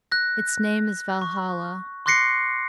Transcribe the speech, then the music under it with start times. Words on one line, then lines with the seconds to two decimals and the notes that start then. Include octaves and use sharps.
Its name is Valhalla.
0.12 F#6 A#6
1.22 C#6
2.06 C6 D6 F#6 A#6 C7 C#7